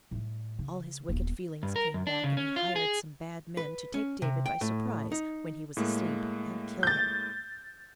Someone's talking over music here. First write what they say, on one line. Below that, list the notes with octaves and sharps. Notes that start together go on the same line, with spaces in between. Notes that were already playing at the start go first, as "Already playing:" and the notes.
All his wicked feelings came back, and he hired some bad men to take David by surprise when he was asleep, and kill him.
A2 G3
C#3
D#1 B3
G2
A#4
F#2
D4
C#3
C#4
F4
G#4
B4
C#4
C3
G5
A2
D#4
A2 G#3 A#3
G6 A6